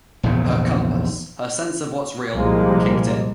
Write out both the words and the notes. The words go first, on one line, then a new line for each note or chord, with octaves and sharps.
Her compass, her sense of what's real, kicked in.
A#1 E2 G#2 C#3
C2 A#2 F3 G3 G#3 A#3